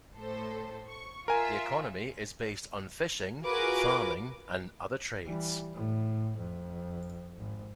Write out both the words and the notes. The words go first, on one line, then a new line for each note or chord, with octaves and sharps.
The economy is based on fishing, farming, and other trades.
A2 A4 C5
C#6
F4 A#4 E5 G#5
F4 F#4 G#4 A#4 B4 D6
E3 G3
A2
F2
G#1